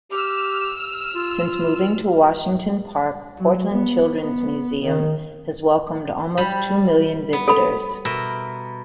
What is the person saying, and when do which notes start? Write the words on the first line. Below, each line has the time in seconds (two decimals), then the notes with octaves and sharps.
Since moving to Washington Park, Portland Children's Museum has welcomed almost two million visitors.
0.12 G4 E6 F6
1.15 F4
3.39 F#3
3.70 B3
4.18 B3
4.83 D#3
6.37 G3 B5
7.33 B3
7.48 A4 B5
8.05 B2 A#4 E5